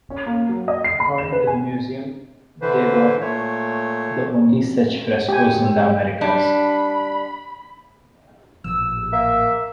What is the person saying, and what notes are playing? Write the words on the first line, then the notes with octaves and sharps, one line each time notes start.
According to the museum, they were the only such frescoes in the Americas.
C#4
A#3
F#3
D#5
C7
B5
E7
B4
G#5
D3 E3 B4 C5
A#2 A3 C#5
G4 G5 G#5
G3 D4 B5
A1 A#2 F3 E6
A#3 E5